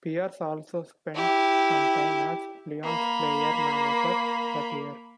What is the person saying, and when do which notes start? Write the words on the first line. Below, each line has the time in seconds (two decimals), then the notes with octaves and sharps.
Pierce also spent some time as Leon's player-manager that year.
1.14 E4 G4
2.82 A#3 B5